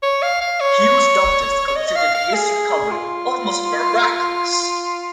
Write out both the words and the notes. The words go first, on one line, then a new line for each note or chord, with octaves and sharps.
Hughes' doctors considered his recovery almost miraculous.
C#5
F5
F5
C#5
C#5
D#5
D#5
F5
F5
G#4
F4